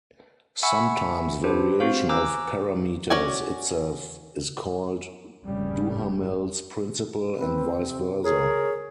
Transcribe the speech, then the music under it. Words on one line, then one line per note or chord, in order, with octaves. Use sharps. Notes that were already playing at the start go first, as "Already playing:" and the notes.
Sometimes variation of parameters itself is called Duhamel's principle and vice versa.
E5 F#5 G#5 B5 C#6 E6
D4 G4 B4 C5
C4 F#4 C5 F5
G#5 A#5 D6 E6 F#6 G6
C#4 F#4 D5 G#5
F1 G2 C#3 G3
C4 B4
C3
G#4 A#4 C#5